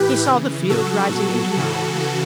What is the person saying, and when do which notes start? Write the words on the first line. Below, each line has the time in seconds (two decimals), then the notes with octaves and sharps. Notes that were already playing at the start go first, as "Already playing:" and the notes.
He saw the field rising into mounds.
Already playing: A2 E3 G4 B4
0.26 C#3 E3
0.69 C#3 F#3 F#4 A4
1.12 B2 F#3
1.56 C#3 E3